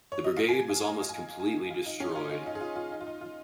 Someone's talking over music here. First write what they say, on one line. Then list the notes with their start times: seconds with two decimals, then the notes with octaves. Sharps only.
The brigade was almost completely destroyed.
0.12 C#5
0.24 D#5
0.37 F5
0.48 G#5
0.69 F5
0.89 D#5
1.09 G#5
1.40 G#5
1.70 F5
1.86 D#4
2.00 C#4
2.16 F4
2.31 D#4
2.46 D#4
2.55 G#4
2.61 F4
2.76 F4
2.92 D#4
3.01 F4
3.07 D#4
3.21 F4